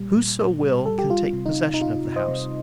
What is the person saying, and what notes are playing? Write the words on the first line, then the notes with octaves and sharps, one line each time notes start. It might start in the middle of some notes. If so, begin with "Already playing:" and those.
Whoso will can take possession of the house.
Already playing: A#2 G3
A#2
A#2
G3
G3 A4
G4
G3 F4
C3
D#4
C3
D#4
C3 F4
C3
C5 D#5
C3